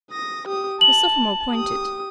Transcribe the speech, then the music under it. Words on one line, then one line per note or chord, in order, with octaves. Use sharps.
The sophomore pointed.
D#6 A#6
G4 D#6
A5 F#7
G4 D#6